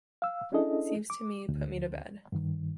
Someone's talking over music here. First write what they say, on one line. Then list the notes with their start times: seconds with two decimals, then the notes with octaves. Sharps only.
Seems to me you put me to bed.
0.22 F5 E6
0.52 C#4 D4 E4 G#4 A4 D#5
1.10 D6
1.49 D2
2.32 G2 D#3